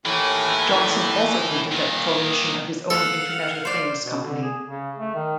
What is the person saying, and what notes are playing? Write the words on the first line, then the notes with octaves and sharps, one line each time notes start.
Johnson also hinted at the formation of his own Internet of things company.
D#2 A2 E3
A#2 D#3
A4 F5 F#5
C5 D5
B2
D3
G#4
C#3
A3
D#3